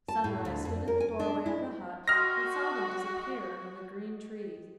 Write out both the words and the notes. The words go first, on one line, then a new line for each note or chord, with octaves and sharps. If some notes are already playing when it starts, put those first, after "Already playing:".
Sunrise stood in the doorway of the hut, and saw them disappear under the green trees.
A5
A2
D2
F2
A#4
G#5
D4
E4
F#4 D#5 G5 C6 F6 A#6